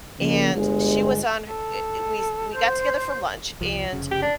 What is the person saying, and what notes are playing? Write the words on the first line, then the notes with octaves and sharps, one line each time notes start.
and she was on eh, we s we got together for lunch, and
C#3 F3 A#3
G1 G#3
A4
C5 G6
C2 F3
F1 C#3
G4
D4